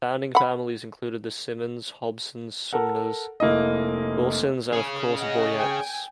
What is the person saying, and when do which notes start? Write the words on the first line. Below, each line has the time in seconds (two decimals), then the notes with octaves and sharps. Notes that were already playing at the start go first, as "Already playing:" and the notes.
Founding families included the Simmons, Hobsons, Sumners, Wilsons, and of course Boyettes.
0.35 F#5 B5
2.73 A4 A#4 F#5
3.40 F1 A#3 E4 D#5
4.73 G#4 C#5
5.18 D#5 F#5
5.56 G5 G#5